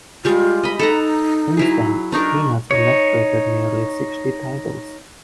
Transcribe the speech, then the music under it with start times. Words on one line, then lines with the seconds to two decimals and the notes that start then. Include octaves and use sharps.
Since then, he has illustrated nearly sixty titles.
0.25 G3 G#3 F4
0.63 D#5 B5
0.79 D#4 A4 F#5 A#5
1.57 F#3 E4 G#4
2.12 D4 D#4 A#4 C#6
2.71 D#4 C#5